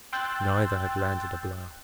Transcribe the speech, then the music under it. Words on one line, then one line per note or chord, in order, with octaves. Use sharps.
Neither had landed a blow.
G5 C6 E6 F#6 G6 A6